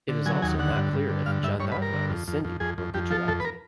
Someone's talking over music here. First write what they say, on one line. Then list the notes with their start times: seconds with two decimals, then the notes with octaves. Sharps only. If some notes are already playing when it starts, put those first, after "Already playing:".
It is also not clear if Jandavra is Sindhi or Gujarati.
0.09 D3
0.26 F#3 G#5
0.42 D#2 G#5
0.59 D3 F#5
0.76 G2
0.93 G2
1.09 D3
1.26 G2 F5
1.43 G2 E5
1.59 G2 C#5
1.72 B4
1.77 G2
1.82 A#4
1.93 D3
2.10 F2
2.28 F2
2.44 F2
2.60 F2 G#4
2.78 F2
2.94 F2 G4
3.11 F3 A4
3.28 F2 A4
3.40 B4
3.45 A#4